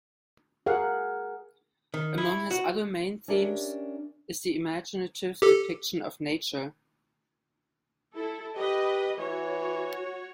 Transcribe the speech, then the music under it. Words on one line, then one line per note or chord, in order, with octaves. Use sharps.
Among his other main themes is the imaginative depiction of nature.
G#4 A#4 F5 F#5
D#3
E4
F#4
C#4 D4 G4 A#4 E5
G4 A4
E4 A4
G4 B4 D#5
E3 F#4 C#5